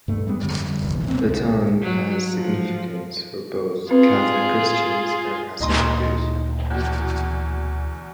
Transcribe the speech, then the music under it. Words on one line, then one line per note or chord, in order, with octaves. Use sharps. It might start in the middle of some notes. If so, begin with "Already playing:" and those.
The town has significance for both Catholic Christians and Hasidic Jews.
G2 A3
G3 G#3 B3
F2 D3 G3
F1 A#1 E2
C2 B3 C4
B1 C#3
F#3
F3
C4 F4 G#4 B4
D2 A#2 D#3 D#4 D#5 C6
E2 B2